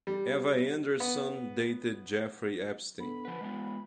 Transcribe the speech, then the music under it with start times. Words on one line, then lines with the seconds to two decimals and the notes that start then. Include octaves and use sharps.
Eva Andersson dated Jeffrey Epstein.
0.07 G3
1.00 B3
3.00 B3 D4 A4 B5
3.25 F3 B4 F#5
3.41 G#3 B3 F4